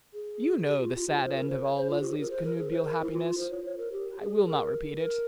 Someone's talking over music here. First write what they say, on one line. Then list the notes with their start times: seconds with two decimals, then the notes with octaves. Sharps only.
You know the sad end of all Lesleys connubial happiness; I will not repeat it--.
0.14 G#4
0.67 G4
0.81 F4
0.95 F4
1.08 G4
1.17 C#5
1.21 C5
1.35 A#4
1.49 C5
1.62 C#5
1.76 C5
1.90 F4
2.00 G4
2.09 G#4
2.20 A#4
2.29 C5
2.43 A#4
2.57 G#4
2.71 C5
2.84 A#4
3.02 E4
3.11 F4
3.38 C5
3.51 C#5
3.65 C#5
3.78 A#4
3.92 G4
4.19 G#4
4.46 A#4
4.99 A#4